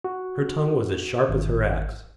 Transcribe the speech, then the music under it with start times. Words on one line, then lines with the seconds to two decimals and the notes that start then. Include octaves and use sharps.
Her tongue was as sharp as her axe.
0.04 F#4
1.29 G#1